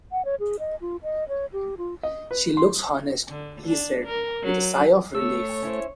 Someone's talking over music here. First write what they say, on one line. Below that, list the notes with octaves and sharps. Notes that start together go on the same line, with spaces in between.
"She looks honest," he said, with a sigh of relief.
F#5
C#5
G#4
D#5
F4
D#5
C#5
G4
F4
D#5
B4
C6
D3
D4
A#4
F#3
A3 C#5 E6
C#4 E4 C5